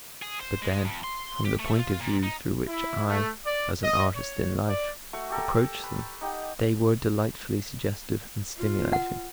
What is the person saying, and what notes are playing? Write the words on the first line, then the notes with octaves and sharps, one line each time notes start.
But then, from the point of view through which I, as an artist in life, approach them they were delightfully suggestive and stimulating.
G#4
C5
G#3
F2
C6
G4
A3
F4
A#2
D#4
E4
A3
D5
D#5
C#5
D5
A3 F#4 C#6
G4 A4 A#4
B4
D#4 G4 F#5
F4
F#5